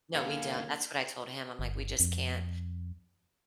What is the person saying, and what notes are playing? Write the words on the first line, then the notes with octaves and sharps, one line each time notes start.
No, we don't. That's what I told him. I'm like, "We just can't
D3 A#3 C#4 D#4 A4 F5
G1
F2